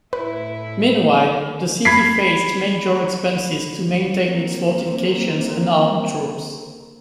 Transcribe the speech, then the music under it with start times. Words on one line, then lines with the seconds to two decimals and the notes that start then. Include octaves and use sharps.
Meanwhile, the city faced major expenses to maintain its fortifications and armed troops.
0.13 A2 E4 B4
1.85 B5 G#6 B6 C7
4.23 A#3 C4